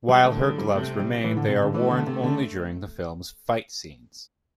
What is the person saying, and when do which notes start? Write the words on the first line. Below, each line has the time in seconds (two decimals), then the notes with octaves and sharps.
While her gloves remain, they are worn only during the film's fight scenes.
0.09 G3
0.25 D3 A3
0.41 G3
0.58 G3
0.74 C3 A3
1.00 G3
1.23 A2 E3
1.37 D3
1.48 C3
1.62 D3
1.74 E3 A3
1.91 D3
2.07 C3
2.24 D3